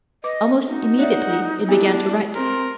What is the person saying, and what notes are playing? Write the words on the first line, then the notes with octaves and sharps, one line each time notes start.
Almost immediately it began to write.
B4 D#5 D6
D#4 F#4
C#5 D5 E5 F#5
B3 D4 E4 G4
C4 A#4 C6